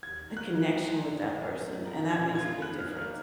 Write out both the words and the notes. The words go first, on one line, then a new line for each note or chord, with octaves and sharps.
a connection with that person, and that makes a big difference.
D#2 G#6
D#3 A#3 D#4 F#4
F#6
F3
G#3 D#4 G#4
F2
D#3 G#3
F#2
F3 B3 D#4 A#4
A#2 G#6
G#3 B3 F4 G#4 G#6
F2 F#6
F6
D#3
A#3 F6